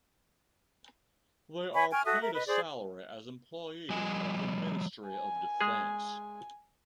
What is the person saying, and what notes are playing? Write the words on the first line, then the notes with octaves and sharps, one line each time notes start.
They are paid a salary as employees of the Ministry of Defense.
C#5 G#5 B5 C#6
G5 G#5 C#6 F6
F#4 A4 E5 D#6
A#4 E5
B4 D#5
G#4 C5 D5
F3 G3 D#5 G#5
G#5
G#3 G#4